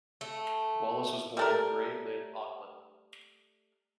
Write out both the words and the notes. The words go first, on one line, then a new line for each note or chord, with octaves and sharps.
Wallace was born in Grey Lynn, Auckland.
A3
G3 A3 A#4